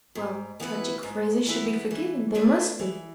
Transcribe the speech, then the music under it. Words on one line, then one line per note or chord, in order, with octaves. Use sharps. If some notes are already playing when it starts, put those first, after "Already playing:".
Well ... tragic phrases should be forgiven, they must be.
G#2
E3 B3 E4 B4
G#2
E3 B3 E4 B4
E3
A3 D4 G#4 B4
E3